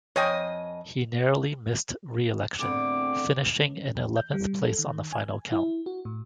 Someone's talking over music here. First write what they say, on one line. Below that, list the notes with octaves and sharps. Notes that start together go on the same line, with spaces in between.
He narrowly missed re-election, finishing in eleventh place on the final count.
F2 C#5 D#5 G5 G#5
E2 A2 D3 C4 D6
C#4
E2
G6
G3
A4
D#3
G#5
E4
F#4
A2